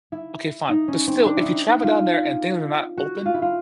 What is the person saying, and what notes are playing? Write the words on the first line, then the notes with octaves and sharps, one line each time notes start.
Okay, fine, but still, if you travel down there and things are not open,
E4
D#4
C#4
C4
D4
E4
D#4
F4
F#4
F4
E4
F4